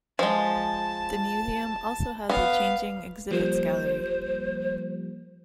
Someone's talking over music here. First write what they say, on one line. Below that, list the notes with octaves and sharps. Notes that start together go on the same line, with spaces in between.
The museum also has a changing exhibits gallery.
F3 G#3 A5
B3 F5
F3 G3 A#3 C5